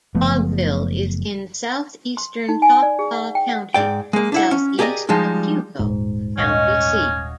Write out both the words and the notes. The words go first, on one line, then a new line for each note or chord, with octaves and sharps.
Frogville is in southeastern Choctaw County southeast of Hugo, the county seat.
F#1 F3 A3 B3
C6
D#4
G#5
D5
G#4
F#5
G5
F#5
G#2 D5 G5
G#3 A#3
D4 E4 F#5
C#4
G4 G#4 A#4 D5 D#5
F3 G3 G#3 D#4
D#1 G#2
D#1 C#4 F#4 D#5 F5